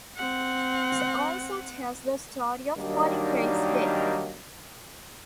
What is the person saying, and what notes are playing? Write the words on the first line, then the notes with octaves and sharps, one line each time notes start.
Herodotus also tells the story of Polycrates' death.
C4 F#5
D#3 F#3 G3 A#3 D4 D#4